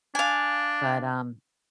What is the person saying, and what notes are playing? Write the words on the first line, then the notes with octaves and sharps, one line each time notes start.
but, um
D4 F5 G#5